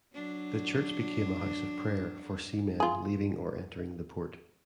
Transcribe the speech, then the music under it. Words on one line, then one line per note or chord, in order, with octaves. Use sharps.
The church became a house of prayer for seamen leaving or entering the port.
F#3 D4
F4 G#4